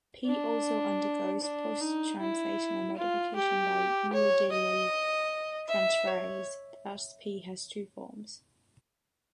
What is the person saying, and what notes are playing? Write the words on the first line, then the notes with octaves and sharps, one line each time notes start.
P also undergoes post-translational modification by uridylyl transferase, thus P has two forms.
D4
D4
D#4
E4
F4
G4
C#5
D#5
E5
C#5